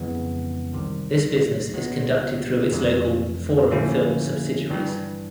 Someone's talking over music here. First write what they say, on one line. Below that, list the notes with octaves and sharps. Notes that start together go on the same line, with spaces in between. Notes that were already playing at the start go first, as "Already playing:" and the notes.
This business is conducted through its local "Forum Film" subsidiaries.
Already playing: F2 C#3 E3 G#3 B3
C2 C3 D#3
C#2 C#3 F#3 B3
F2 C3 E3 A3
D3 F3 A#3 C#4 E4
G2 E3 G3